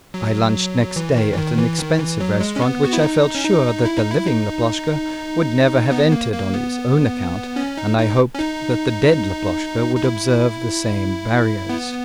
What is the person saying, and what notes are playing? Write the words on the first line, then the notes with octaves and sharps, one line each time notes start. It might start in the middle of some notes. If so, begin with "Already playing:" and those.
I lunched next day at an expensive restaurant which I felt sure that the living Laploshka would never have entered on his own account, and I hoped that the dead Laploshka would observe the same barriers.
F#3
E3
D#3
E3
D#3
E3
D#3
E3
F#3
G#3
C#4
B3
F#4
E4
D#4
C#4
D#4
E4
D#4
E4
D#4
B3
A#3
A#3
B3
C#4
D#4
D#4
C#4
D#4
D#4
E4
B3